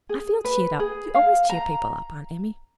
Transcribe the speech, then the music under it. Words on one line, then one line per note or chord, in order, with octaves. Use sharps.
I feel cheered up--you always cheer people up, Aunt Emmy.
G#4
B4
G#4
F5
A#5